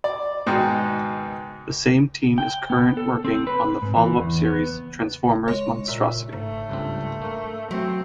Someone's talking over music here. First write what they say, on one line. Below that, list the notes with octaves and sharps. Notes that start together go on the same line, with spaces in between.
The same team is current working on the follow-up series, "Transformers: Monstrosity".
D5
G#2 B2 D#3
G5
B3
A4
C4
B4
G#2
E3
E2
B3
G#3 C#5
A#2 A#4 E5
G#2 A3
C#2 G2 C4
A#3 A#4
F#3 A3 C4